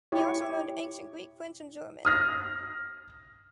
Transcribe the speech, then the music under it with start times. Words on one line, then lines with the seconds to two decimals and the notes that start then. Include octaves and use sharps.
He also learned ancient Greek, French and German.
0.12 E4 G4 C#5
2.05 D#6 F6 A#6